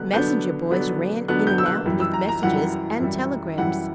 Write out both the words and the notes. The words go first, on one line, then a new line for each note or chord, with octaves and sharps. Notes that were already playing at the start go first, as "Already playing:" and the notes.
Messenger boys ran in and out with messages and telegrams.
Already playing: D3 F#3 B3 D4 F#6
D3 F#3 B3 D4 G6
D3 F#3 B3 D4
D3 F#3 B3 D4 F#6
G6
E6
F#6
F#2 E3 G3
E6
A#5
A#5
F#2 E3 G3 F#5
F#2 E3 G3
F#2 E3 G3 F#5